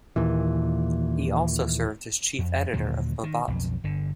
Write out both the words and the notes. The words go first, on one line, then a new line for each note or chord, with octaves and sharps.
He also served as chief editor of Mabat.
D#2 A#2 E3
F2
D#2 A#2 D3 F#3
D#3
B1 F2
G1 D3